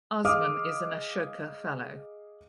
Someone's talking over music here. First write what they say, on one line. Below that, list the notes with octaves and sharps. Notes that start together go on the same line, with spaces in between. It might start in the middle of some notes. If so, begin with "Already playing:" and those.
Usman is an Ashoka Fellow.
G#4 D#5 F5 D6 D#6 F6